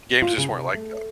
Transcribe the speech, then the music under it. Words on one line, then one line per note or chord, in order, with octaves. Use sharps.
Games just weren't like that.
F4
C#3
C3
A3